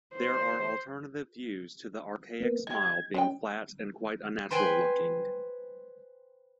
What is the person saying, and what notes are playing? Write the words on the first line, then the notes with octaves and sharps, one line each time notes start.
There are alternative views to the archaic smile being "flat and quite unnatural looking".
C5
A#3 B3
D#4 G4 G#6
D#3 C#4 F4 G5
B4 C5 G5 G#5 B5